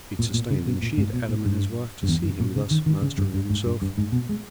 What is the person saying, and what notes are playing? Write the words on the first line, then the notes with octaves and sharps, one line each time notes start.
It sustained and cheered Adam and his wife to see him thus master of himself.
A#2
A#2
C#3
B2
A#2
G#2
B2
A#2
G2
G2
E2
G2
A#2
C#3
D#3
D#3
C#3
G2
G2
G#2
G2
G2
G#2
B2
G#3